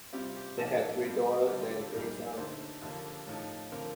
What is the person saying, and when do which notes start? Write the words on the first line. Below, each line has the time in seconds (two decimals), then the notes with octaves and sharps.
They had three daughters and three sons.
0.13 C3 G3 C4 F4 G4
0.35 G4
0.58 A2 F3 A#3 D#4 A4
1.03 C3 G3 C4 F4
1.40 A4
1.47 D#2 D3 G3 G4
1.59 F4
1.70 G4
1.81 A4
1.92 A#1 A#2 G3 A#3 D#4 A#4
2.32 D5
2.37 D#2 D3 A3 D#4 C5
2.82 D#2 D3 F3 A#3 D4
3.27 A2 F3 A3 D#4
3.71 D3 F3 C4 A#4